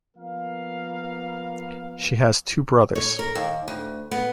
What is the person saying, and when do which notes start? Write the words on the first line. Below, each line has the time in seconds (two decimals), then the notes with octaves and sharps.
She has two brothers.
0.16 F3 A#3 B3 A#4 F5
2.95 C#5
3.19 A#4
3.35 D#2
3.68 D2
4.11 B3